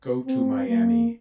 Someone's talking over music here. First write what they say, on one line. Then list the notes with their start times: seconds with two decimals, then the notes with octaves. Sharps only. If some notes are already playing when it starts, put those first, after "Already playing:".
Go to Miami.
0.26 C4
0.67 A#3